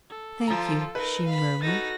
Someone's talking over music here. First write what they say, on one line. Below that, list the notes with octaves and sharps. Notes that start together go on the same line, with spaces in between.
"Thank you," she murmured.
A4
F3 F4 A#5
D#4 A#4 B4
F5 B5
D#4 F#4 A4 A#6